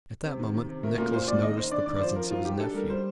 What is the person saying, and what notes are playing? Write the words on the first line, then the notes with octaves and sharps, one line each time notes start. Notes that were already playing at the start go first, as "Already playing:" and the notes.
At that moment Nicholas noticed the presence of his nephew.
C3
D#3
D#3
C3
A3 A#4
A#2 A#4
A#2 C5
A#2 D5
D#3 D#5
D#3 C5
D4 D5
D#3 D5
D5
F3 C5
F3 A#4
D#4 F4
D#4 G4
D4 A4
G3 A#4
G3 C5